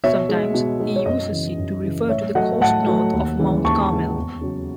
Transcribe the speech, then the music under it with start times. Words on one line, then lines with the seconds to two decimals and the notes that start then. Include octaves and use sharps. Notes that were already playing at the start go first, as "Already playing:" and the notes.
Sometimes, he uses it to refer to the coast north of Mount Carmel.
0.04 B2 C#5 E5
0.29 G#3 D#4
0.54 B2
0.80 G#3 D#4
0.96 C#5
1.06 F#2 D#5
1.32 C#3 E3
1.58 F#2
1.84 C#3 E3
2.09 A2 C#5 E5
2.35 F#3 A3 D#5 F#5
2.61 A2 F#5 A5
2.87 F#3 A3
3.13 D#2
3.39 C#3 E3 G#3
3.64 D#2 A5 C#6
3.91 C#3 E3 G#3
4.16 E2
4.41 C#3 F#3